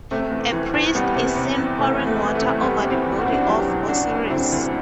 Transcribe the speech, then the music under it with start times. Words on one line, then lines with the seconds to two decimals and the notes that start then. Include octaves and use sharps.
A priest is seen pouring water over the body of Osiris.
0.11 C3 A3
0.31 E2
0.53 E3
0.74 E2
0.95 C3 G3 B3
1.16 C3
1.36 C3
1.58 E2
1.78 C3 A3
2.00 E2
2.07 A3
2.20 E3
2.35 A3
2.42 C3
2.62 E2 G3 B3
2.83 C3
2.90 C4 E4
3.05 E2
3.19 F#4
3.25 E2 E4
3.32 D4 F#4
3.46 F#3 E4 G4
3.67 E1
3.88 E1 D4 F#4
4.10 D2
4.30 D3 C4 E4
4.52 D2